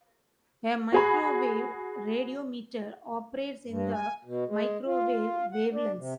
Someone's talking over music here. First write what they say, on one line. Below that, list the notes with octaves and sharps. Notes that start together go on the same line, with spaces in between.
A microwave radiometer operates in the microwave wavelengths.
F#4 G#4 B5
G2
G#5
B2
G#3
F4
F#5
D4
C3